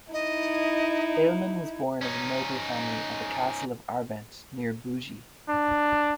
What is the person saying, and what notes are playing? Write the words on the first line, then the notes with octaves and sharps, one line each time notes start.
Aleman was born of a noble family at the castle of Arbent near Bugey.
D#4 E4 D#5
C#4 D#4
D4